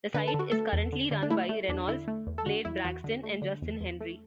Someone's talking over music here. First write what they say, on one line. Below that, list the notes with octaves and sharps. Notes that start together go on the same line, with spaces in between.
The site is currently run by Reynolds, Blade Braxton and Justin Henry.
D3 B4
A4
D3
F#4
A3 A4
E2
D3
D3
D4
A3 E4
A3
E2 D4
D3 E4
A3
E2
A4
D3 F#4
E2 E4
E2 F#4
D3
A3
D3
E2
E2
A3